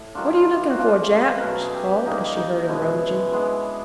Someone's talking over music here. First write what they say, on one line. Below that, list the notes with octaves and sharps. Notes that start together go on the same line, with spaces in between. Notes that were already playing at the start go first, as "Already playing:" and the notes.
"What are you looking for, Jap?" she called as she heard him rummaging.
Already playing: A2
D#3 F#3 A3 D4 F4
E4
F4
F#4
F3 A#3 C#4 F4
B4
B2 F#3 A3 A#4
A4
G#4
G4
D#3 G3 A#3 D4 D#4
D#4
B2 G#3 C#4 E4
E3 G#3 B3 D4